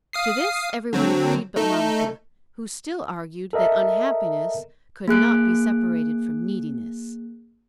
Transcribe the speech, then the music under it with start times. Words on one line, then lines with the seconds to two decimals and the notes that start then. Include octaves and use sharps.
To this everyone agreed but Monica, who still argued that unhappiness could not be separated from neediness.
0.13 F5 D#6 C7
0.93 D3 F#3 C4
1.56 A3 D#4 A4
3.53 A4 A#4 D#5 E5
5.08 A#3 G#4 F#6 D7